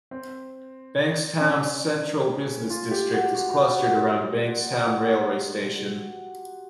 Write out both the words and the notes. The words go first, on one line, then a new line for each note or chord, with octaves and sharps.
Bankstown's central business district is clustered around Bankstown railway station.
C4
C#4
F4
G4
F#4
F#4
F#4
F#4
F#4